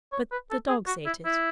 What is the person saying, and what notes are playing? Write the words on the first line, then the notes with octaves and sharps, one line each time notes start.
But the dogs ate it.'
C#5
B4
A4
G#4
F#4
E4
E4